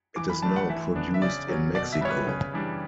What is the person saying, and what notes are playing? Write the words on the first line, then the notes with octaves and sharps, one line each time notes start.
It is now produced in Mexico.
E3 D6
B5
A3 D4 A5
F#5
E3 E5
B3 D4
E5
C#3 D5
F#3 C#4
B2 D5
E5
G3 B3 C#5
B4
C#3
E3 G3 D4